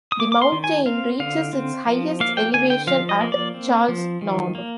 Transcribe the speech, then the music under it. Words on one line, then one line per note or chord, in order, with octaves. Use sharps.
The mountain reaches its highest elevation at Charles Knob.
D#6
A#3 D6
D6
C6
D#3
G#5
C4 F5
D3 F5
C4
F3
A#3 F5
G5
D3 G#5
G5
F3 F5
D#5
A#3
D5
C4
F3
D#3
A#3